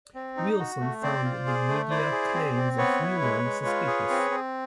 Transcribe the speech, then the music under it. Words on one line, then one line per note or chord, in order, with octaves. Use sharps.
Wilson found the inedia claims of Neumann suspicious.
C4
D#4
F#4
A3
C4 C5 D5
F4
G#4
A3
E4 C5 D5
G#4
C4
C4
B3 B4 C#5
E4
G#3
G#3
F4
G#4
C4
C4